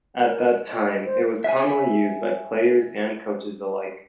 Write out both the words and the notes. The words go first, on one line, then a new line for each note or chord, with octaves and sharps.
At that time, it was commonly used by players and coaches alike.
A#4
D#5
C5
E5 G#5